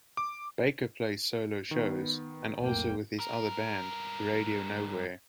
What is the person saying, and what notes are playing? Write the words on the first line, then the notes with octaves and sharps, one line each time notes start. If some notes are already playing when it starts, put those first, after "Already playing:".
Baker plays solo shows, and also with his other band, Radio Nowhere.
D6
D#3 B3
B1 F2 A2 A#3 G5
G2 A#4